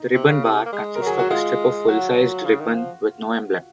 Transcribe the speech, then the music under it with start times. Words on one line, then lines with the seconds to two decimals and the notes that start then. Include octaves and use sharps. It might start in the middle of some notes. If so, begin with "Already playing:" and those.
The ribbon bar consists of a strip of full-sized ribbon with no emblem.
Already playing: D#4
0.14 C3
0.29 C#3
0.44 C3
0.66 A#3
0.73 G#3
0.95 A#4
1.01 F#3 G#4
1.19 F#4
1.31 G#3 F4
1.88 F#3 F#4
2.46 C#3
2.60 D#3
2.75 F3